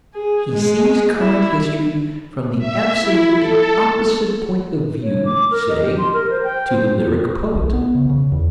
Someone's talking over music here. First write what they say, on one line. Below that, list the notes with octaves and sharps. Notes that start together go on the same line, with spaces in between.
He sees current history from the absolutely opposite point of view, say, to the lyric poet.
G#4
G#3
E4
E5
E4
A4
C#5
D6
A#4
D#5
G4
C6
A#4
C5
G5
C5
B1
B3
C#3
C#3
E2